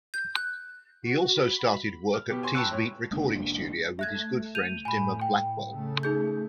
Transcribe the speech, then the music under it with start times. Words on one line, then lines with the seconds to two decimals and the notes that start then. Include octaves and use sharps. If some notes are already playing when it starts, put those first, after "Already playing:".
He also started work at Teesbeat recording studio with his good friend Dimmer Blackwell.
0.14 G6
0.36 F#6
1.02 F#4
1.33 B5
2.14 F6
2.30 B2 B3 G4
2.43 G#5 C6 C#6
2.55 G5 A5 B5 C#6 E6 F#6
2.71 A2 C#5
3.11 F#1 G#3 A#3 D4
3.99 A3 E5 F#6 G#6
4.55 G6 D#7 F7
4.85 A2 G#5 B5
5.21 G5
5.68 C#3 A3
6.03 D#4 G#4 G6